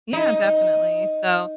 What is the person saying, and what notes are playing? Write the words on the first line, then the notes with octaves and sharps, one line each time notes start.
Yeah, definitely, so.
D#4